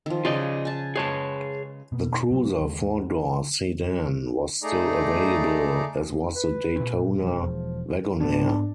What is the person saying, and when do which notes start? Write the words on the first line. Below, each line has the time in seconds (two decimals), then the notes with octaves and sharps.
The Cruiser four-door sedan was still available, as was the Daytona Wagonaire.
0.06 D#3 F3
0.25 C#3 F4 D5 D#5
0.65 G#5 A5
0.96 G#3 G#4 B4 C#5 A5
1.92 B2 A#3 B3
2.31 A2 C3 F#3 C4
2.61 D#2 G#3
4.63 A3 D#4 G#4 D5 A#5
6.36 B4
6.76 A#2 C4
7.19 E1 F3
8.20 G#2 B3 C4 D4